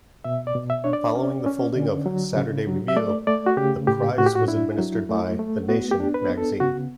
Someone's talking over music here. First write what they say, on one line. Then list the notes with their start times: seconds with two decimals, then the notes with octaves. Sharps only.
Following the folding of "Saturday Review", the Prize was administered by "The Nation" magazine.
0.24 B2 E5
0.47 D5
0.55 B2
0.70 E5
0.84 D4 C#5
0.93 D5
1.15 C#4
1.46 C#4
1.75 D3
2.06 F#3
2.37 C#3
2.67 F#3
2.88 E5
2.96 A3 D5
3.27 A3 D5
3.46 F#4
3.57 C#3 G4
3.87 A2 G4
4.17 A2 F#4
4.26 G4
4.35 F#4
4.48 D4 E4
4.78 F#3
5.09 A3
5.39 A3
5.69 B3 F#4
5.91 G4
6.00 D4
6.14 B4
6.30 B3
6.38 A4
6.60 C#3 F#4